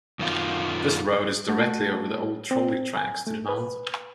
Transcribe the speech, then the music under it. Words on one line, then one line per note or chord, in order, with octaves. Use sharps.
This road is directly over the old trolley tracks to the mountain.
F#2 D#3 F4
A3 F#4 G6
C4
G#5
A3
B4